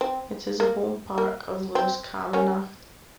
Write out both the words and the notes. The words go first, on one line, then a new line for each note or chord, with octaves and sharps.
It is the home park of Lewis Camanachd.
C4
A#3
A#3
C4
A#3 C#4